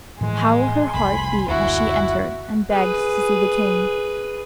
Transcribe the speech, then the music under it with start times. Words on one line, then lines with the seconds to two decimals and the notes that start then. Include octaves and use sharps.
How her heart beat as she entered, and begged to see the king!
0.21 A2 E3 F3 G#3 G#5 C6
0.94 F1 C2 B5
1.48 F#1 D2 E4 F#4
2.70 G#4 B4